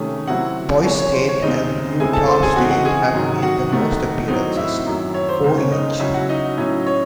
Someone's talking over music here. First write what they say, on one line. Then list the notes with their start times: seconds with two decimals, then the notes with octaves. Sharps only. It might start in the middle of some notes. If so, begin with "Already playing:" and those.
Boise State and Utah State have made the most appearances, four each.
Already playing: C3 D#3 A3 C#4 G#4
0.27 C3 F#3 C4 E4 F#4 F#5
0.85 C3 E3 G#3 C#5
0.99 C#5
1.13 C5
1.28 C#5
1.42 D#2 C#3 G#3 C4 D#4 D#5
2.00 C#3 G#3 C4 E4 G#4 G#5
2.13 A4 A5
2.27 C5 C6
2.42 G#4 G#5
2.56 C#3 E3 C4 D#4 F#4 F#5
2.71 F#4 F#5
2.85 G#4 G#5
3.13 G#2 D#3 F#3
3.43 F#4 F#5
3.71 C3 D#3 A3 D#4
4.28 A2 F#3 C4 D#4
4.57 E4 E5
4.86 F#2 D#3 F#3
5.14 C#5
5.29 C5
5.43 C#2 C#3 G#3 C5
5.58 C#5
5.71 D#4 D#5
6.00 C#3 F#3 C#4 E4 E5
6.14 F#4 F#5
6.29 D#4 D#5
6.58 A2 F#3 C#4 E4
6.86 C#5